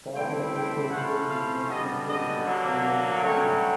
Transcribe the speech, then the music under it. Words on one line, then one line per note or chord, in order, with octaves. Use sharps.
Barbour also researches Machian physics, a related field.
A2 E3 G3 C4 E4 G5
G5
F3 A3 C#4 E4 F#5
F5
F#2 D3 G3 B3 D4 D#5
D#5
D3 F#3 A#3
G2 D3 F#3 A3 C#4 C#5